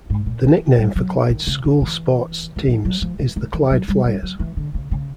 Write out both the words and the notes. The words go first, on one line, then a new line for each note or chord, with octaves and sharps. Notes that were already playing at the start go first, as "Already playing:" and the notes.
The nickname for Clyde's school sports teams is the Clyde Fliers.
G#2
A#2
E3
G3
F#3
D#3
C#3
D3
E3
E3
F3
F#3
F3
E3
D#3
E3
F#3
G3
G3
F#3
E3
D3
C#3
C#3